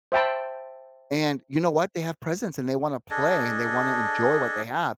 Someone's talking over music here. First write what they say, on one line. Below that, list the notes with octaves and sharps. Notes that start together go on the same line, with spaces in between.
and you know what, they have presents, and they wanna play, and they wanna enjoy what they have.
C5 E5 G5 A5 B5
D4 G#4 A4 D#5